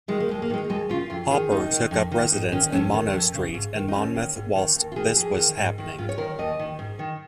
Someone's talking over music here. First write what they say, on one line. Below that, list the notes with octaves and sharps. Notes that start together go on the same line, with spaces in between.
Hopper took up residence in Monnow Street in Monmouth whilst this was happening.
D#3 G#3
A#3
D#2 G#3
A#3
D#3 G#3
D#2 G#3
C#3 F4
F2 F4
D#3 G#4
D#2 D#4
D#3
F2
D#3
G#2 D#4
D#3 C#4
F2 C#4
D#3
F2
C#3
G#2
D#3
D#4
D#2 C#4
D#3
G#2
D#3
D#2
F4
D#3 G#4
F2 G#4
D#3
G#2
D#3
G#2 F4
C#5
D#3 A#4
D#2 D#5
D#3
G#2
D#3